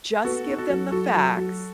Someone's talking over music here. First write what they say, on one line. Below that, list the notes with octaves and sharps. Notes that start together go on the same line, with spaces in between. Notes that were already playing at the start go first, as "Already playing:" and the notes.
just give them the facts,
B3 F#4 A4
D#4
F#4 A4
F#3
F#3 F#4 A4
F#3
F#4 A4
F#3